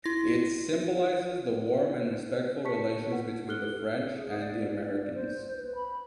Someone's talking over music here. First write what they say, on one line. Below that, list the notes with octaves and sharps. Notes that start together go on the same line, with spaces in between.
It symbolizes the warm and respectful relations between the French and the Americans.
E4 A#6
A5 C#6 B6 C#7
B4 F#5
G4 A4 F6 F#6 G7
G#4
D5
C5
B4
B5